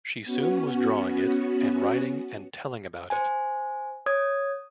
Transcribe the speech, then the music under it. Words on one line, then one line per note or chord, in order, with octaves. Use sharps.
She soon was drawing it, and writing and telling about it.
B3 C#4 F#4
C5 G#5
C#5 D#6 G#6